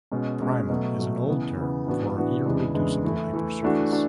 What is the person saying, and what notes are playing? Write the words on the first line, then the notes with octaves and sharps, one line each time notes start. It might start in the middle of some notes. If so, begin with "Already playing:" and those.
"Primal" is an old term for an irreducible hypersurface.
B2 G#3 C#4
B2 G#3 C#4
B2 F#3 A3
B2 F#3 A3
C#3 E3 B3
C#3 E3 B3
A2 E3 B3 D4 F#4
A2 E3 B3 D4 F#4
E2 C#3 E3 G#3 D4
E2 C#3 E3 G#3 D4
E3 A3 E4
E3 A3 E4
E3 A3 D4 F#4
D4 F#4